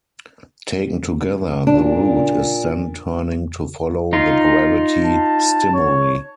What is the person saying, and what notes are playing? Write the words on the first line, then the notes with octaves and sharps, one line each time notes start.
Taken together, the root is then turning to follow the gravity stimuli.
A#2 D4
D#4 F4
A5
C#5